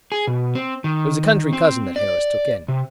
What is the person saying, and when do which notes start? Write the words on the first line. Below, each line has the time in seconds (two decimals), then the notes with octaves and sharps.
It was a country cousin that Harris took in.
0.12 G#4
0.27 B2
0.55 C4
0.84 D#3
1.53 C4
1.96 D5
2.68 C3